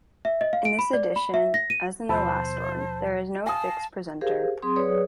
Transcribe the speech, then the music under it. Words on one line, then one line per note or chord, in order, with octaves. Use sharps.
In this edition, as in the last one, there is no fix presenter.
E5
D#5
F5
D7
B5
D5
B5
E5
A#6
D#7
D#2 B2 F3 C5 A5 B5 E6
F5 G#5 A5 D#6 A#6 C7
G4 G#4 A#4 C5 F5
F#3 C4 G#4 C6 D#6
F#3 G#4 B4 C#5 D5 D#6